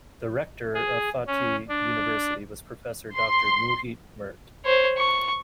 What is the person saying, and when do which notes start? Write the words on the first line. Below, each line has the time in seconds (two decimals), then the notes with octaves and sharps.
The rector of Fatih University was Professor Doctor Muhit Mert.
0.75 G#4
1.27 C#4
1.69 D4
3.15 C6
4.65 C5 C#5
4.98 C#6